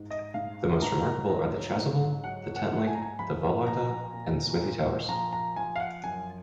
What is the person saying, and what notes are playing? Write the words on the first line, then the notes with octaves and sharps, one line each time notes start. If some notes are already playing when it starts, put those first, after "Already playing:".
The most remarkable are the Chasuble, the Tent-like, the Vologda, and the Smithy towers.
Already playing: G#2
D#5
G#2 F5
G#2 A#5
F#3
G#2
F#3 F#5
F#5
G#2
G#5
A#5
G#5
F3 B5
A#2 A#5
A#2
A#2
F3 A#5
A#5
F3 G#5
F5
F#5
F#2 G#5